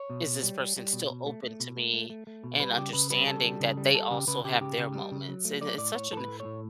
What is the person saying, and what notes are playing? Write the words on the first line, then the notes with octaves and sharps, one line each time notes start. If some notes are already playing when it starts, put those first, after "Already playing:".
"Is this person still open to me," and understanding that they also have their moments? And it's such an
Already playing: C#5
B2
B2
G3
G3
G3
B2
B2
A3
A3
B2
A3
A3
A3
A3
B2
G3 B4
A4
C#3 G4
C#3 B4
G3 B4
C#3 A4
G3
C#3
G3
G3 A4
C#3 G4
C#3 B4
C#3 G4
C#3 G4
C#3
G3
C#3
F#3
A3
F#3 D5
A2 D5
A2 C#5
A2 A4
B4
A3
C#5
A2